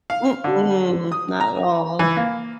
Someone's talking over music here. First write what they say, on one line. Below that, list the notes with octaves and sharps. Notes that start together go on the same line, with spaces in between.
Mm-mm, not at all.
F5
D3
D#6
A#5
E3
A#3